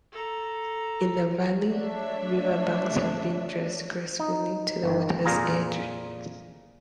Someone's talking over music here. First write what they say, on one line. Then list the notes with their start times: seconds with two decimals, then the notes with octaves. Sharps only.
In the valley, river banks have been dressed gracefully to the water's edge.
0.12 A4 A#5
1.66 A3 D4 C#5 E5
4.19 D#4
4.84 G1 D#3
5.25 F2 A#2 A#3 F4 G#4 A#5